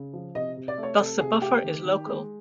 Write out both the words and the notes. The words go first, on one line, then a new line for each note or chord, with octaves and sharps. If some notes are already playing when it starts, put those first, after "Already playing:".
Thus the buffer is local.
Already playing: C#3
F3
C3 D#5
C3
D5
A3
C#5
C3 A4
C3 G#4
A3 G4
D#3
D#3
G#3